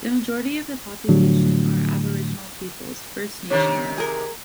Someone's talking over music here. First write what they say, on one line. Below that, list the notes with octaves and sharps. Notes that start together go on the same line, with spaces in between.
The majority of the population are Aboriginal peoples, First Nations.
A2 D3 F3 F#3
C3 D#3 D4 C#5
G#4 A#4